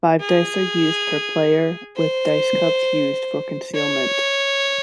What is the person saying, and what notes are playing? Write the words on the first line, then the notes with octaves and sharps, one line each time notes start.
Five dice are used per player with dice cups used for concealment.
G#4
C5
C#5